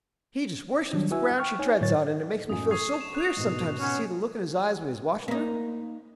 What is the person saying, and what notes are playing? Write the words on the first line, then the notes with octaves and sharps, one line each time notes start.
He just worships the ground she treads on and it makes me feel so queer sometimes to see the look in his eyes when he's watching her.
D#3 F#3 G3 D4
E4 F#4 B4 E5 G#5 E6
G5 C#6 F6
D#4 C#5 G#5
A2 D3 F#3 C#5 A6
F#2 A2 G#5 D#6
C#6 D#6 G#6 C7
E7
F#6 F7
G#2 B2
B3 C#4
A#3 D#4